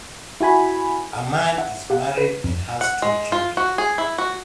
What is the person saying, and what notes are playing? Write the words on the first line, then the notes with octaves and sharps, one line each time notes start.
Ammann is married and has two children.
E4 F#4 G#5 B5
E5 F#5 G5
G4 F5 F#5
B4
F2
F#5
G#3
F4
F#4
G#4
E4
F#4